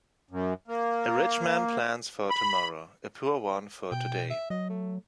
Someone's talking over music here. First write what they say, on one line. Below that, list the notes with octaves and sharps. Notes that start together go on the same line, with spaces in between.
A rich man plans for tomorrow, a poor one for today.
F#2
A#3
B5
B2 G5
E5
F#3 D#5
A3